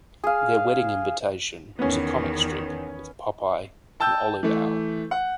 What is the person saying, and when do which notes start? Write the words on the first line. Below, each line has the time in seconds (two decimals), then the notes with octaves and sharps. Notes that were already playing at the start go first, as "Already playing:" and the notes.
Their wedding invitation was a comic strip with Popeye and Olive Oyl.
0.24 G#4 F5
1.79 E2 D#3 B3 C#4
4.00 G5 A5 E6 G6
4.43 E3 A3
5.11 F#5